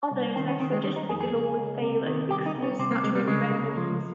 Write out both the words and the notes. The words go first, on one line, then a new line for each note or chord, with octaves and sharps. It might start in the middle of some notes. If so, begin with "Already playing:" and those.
Others have suggested the law will fail as it excludes natural remedies.
C2
D#3 C4
C#4
D#3 C4
G#3
D#3 G3
D#4
F2 G#4
G#4
C#2
C#2
C3
D#3
C2 G4
D#4
C2
C#4
C3 C4
A#3
C2 G#3
G3
C#3 G#3
C#2
F3